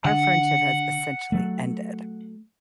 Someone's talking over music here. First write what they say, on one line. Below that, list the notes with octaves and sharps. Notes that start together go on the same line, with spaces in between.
our friendship has essentially ended,
D3 F#5
F#3 A3